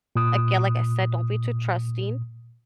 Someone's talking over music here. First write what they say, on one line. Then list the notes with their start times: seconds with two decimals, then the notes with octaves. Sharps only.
again, like I said, don't be too trusting,
0.16 A#2 D#6